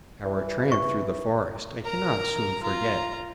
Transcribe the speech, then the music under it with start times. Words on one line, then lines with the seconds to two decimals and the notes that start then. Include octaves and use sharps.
Our tramp through the forest I cannot soon forget.
0.24 E3
0.72 C#6
1.84 A#4 A#5
2.63 F4 A#5